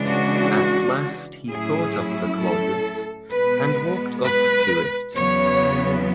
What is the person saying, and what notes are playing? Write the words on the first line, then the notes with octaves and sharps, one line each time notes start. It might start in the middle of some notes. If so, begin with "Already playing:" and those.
At last he thought of the closet, and walked up to it.
Already playing: C#3 E3 G#3 D4
F#4
A2 F#3 A3 C#4 E4 G#4
A4
B2 G#3 B3 B4
B4
E2 C#3 F#3 B3 C#5